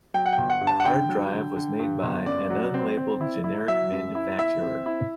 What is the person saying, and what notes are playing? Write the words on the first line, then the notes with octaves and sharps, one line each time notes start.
The hard drive was made by an unlabeled generic manufacturer.
F#3 G5
F#5
G5
G1
F#5
G2
A5
F#5
D3 G5
F#3
D3
D3
G2
G1
F#2 D5
F#3
C4
C4
E4
E4
F#3 E5
F#2
E4
E4 E5
C4
E4